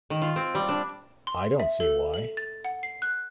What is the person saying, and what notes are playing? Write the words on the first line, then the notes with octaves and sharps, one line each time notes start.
I don't see why.
D#3
F4
C4
G3
D4
C6
E5
A4
F#7
A6
F#5
C7
F#6